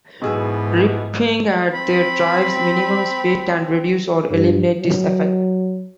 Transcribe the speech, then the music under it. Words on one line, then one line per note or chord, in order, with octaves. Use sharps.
Ripping at the drive's minimum speed can reduce or eliminate this effect.
B1 G#2 B2 E3 G#4 E6
C4 B5
G2
F#3